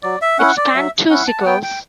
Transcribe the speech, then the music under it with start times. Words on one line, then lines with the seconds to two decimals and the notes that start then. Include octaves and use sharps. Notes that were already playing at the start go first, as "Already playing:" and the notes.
It spanned two sequels.
0.03 F#3 D5
0.22 E5
0.39 C#4 E4 F#5
0.57 D5
0.75 F#3 E5
1.09 C#4 E4 F#5
1.27 A5
1.40 F#5
1.45 B3 G5
1.63 G5